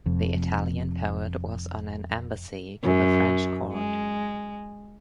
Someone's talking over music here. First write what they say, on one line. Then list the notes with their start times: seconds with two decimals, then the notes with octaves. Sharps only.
The Italian poet was on an embassy to the French court.
0.06 F1 F2
2.83 F#2
3.73 G#3